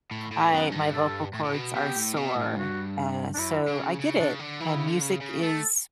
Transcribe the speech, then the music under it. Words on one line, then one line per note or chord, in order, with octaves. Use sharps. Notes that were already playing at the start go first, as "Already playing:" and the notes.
I my vocal cords are sore. Uh, so, I get it, uh, music is
A2
A2
F#2 B3
G2
A4
A2
A2
B2
B2 G4
A2
B2
A2
G2 F#4
D4
F#2 E4
D3
C#3
C#3
C#3 D4
D3
E3 E4
C#3
D3
C#3
C#3
A3 A4